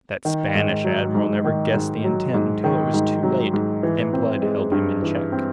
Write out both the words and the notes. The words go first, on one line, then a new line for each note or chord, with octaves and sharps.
That Spanish Admiral never guessed the intent until it was too late and Blood held him in check.
D#3
G#2
F#3
G#2
D#3
G#2
F#3
G#2
D#3
G#2
F#3
G#2
E3
C4
G#3
G2
E3
C4